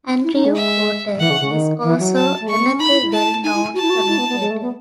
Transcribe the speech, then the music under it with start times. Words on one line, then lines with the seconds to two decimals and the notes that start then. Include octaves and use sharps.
Andrew Cotter is also another well known commentator.
0.24 E4
0.35 D#4
0.45 G#3
0.55 E5
1.19 E3 F#5
1.30 C#3
1.40 C#3
1.51 D#3
1.83 E3
1.99 F#3
2.15 A5
2.40 A3
2.48 G#3 C#6
2.59 B3
2.69 C#4
2.80 D#4 B5
2.91 E4
3.02 E4
3.12 A5
3.43 D#4 G#5
3.54 E4
3.74 F#4 A5
3.82 E4
3.90 F#4
4.08 E4
4.18 B3
4.29 B3
4.40 G#3
4.50 A3
4.62 B3